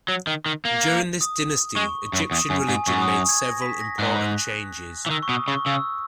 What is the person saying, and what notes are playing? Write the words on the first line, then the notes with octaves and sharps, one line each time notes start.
During this dynasty, Egyptian religion made several important changes.
F#3
D#3
D#3
A#3
D#6
G#3 C#6
F#2
E2 D#6
F#2 G#5
G#2 G#5
F#2 C#6
D#6
G#6
A#6
B6
A#6
G#2 F#6
E3
D#3 E6
C#6
B2 D#6
C#3 C#6
C#3 E6